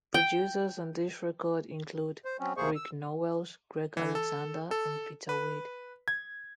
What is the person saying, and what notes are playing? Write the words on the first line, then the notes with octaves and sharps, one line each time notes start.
Producers on this record include Rick Nowels, Gregg Alexander and Peter Wade.
G5
C5
F#3 C4 C#4
D2 C3 A#3 G#4 C5 C#6
E6
E3
A4
A4
B4
G#6